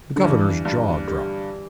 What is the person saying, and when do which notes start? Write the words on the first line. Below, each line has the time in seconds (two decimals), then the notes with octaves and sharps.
The governor's jaw dropped.
0.16 D3
0.23 G2 E3
0.65 G2
1.07 G3